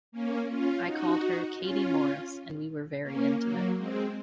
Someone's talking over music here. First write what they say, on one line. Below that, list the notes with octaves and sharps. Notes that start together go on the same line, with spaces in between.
I called her Katie Maurice, and we were very intimate.
A#3 C#4
C#4 F4
D#4 F#4
C#4 F4
A#3 C#4
F#3 A#3
G#3 C4